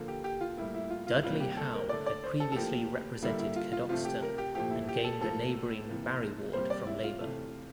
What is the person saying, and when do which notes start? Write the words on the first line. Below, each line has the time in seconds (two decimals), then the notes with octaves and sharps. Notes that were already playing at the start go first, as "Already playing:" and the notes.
Dudley Howe had previously represented Cadoxton and gained the neighbouring Barry ward from Labour.
Already playing: D3 F3 A#3
0.08 G4
0.24 G4
0.41 F4
0.57 A2 G3 A#3 E4
0.74 E4
0.90 F4
1.07 F4
1.17 E4
1.23 C3 G3 A#3 F4
1.40 G4
1.52 G4
1.57 A4
1.74 A#4
1.89 D3 A3 D5
2.06 D5
2.24 C5
2.40 A4
2.52 A4
2.56 A2 F3 A#3 G4
3.22 D3 G3 A#3 E4
3.39 E4
3.56 F4
3.72 F4
3.89 C3 F3 A3 F4
4.05 G4
4.22 A#4
4.38 G4
4.55 A#2 F3 A3 G4
4.71 E4
4.89 G4
5.04 A4
5.21 A2 F3 A#3 A4
5.88 C3 E3 A#3
6.53 C3 G3 A#3 C5
6.70 D5
6.87 E4
7.04 F4
7.20 C3 E3 A3